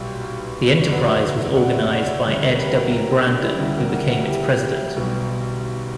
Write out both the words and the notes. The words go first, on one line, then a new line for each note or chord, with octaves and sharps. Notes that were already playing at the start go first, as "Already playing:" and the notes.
The enterprise was organized by Ed W. Brandon who became its president.
Already playing: B1 A#2 G3 G4 B4
F#1 E2 D3 F#3 B4 D5
D5 F#5
C#5 E5
D5 F#5
C#5 E5
D2 C#3 E3 G3 C#5 E5
A#4 C#5
G4 B4
F#4 A#4
F#4 A#4
E4 G4
D4
C#4 E4
D2 C#3 G3 E4 G4
F#4 A#4
F#4 A#4
F#4 A#4
E4 G4
B1 B2 G3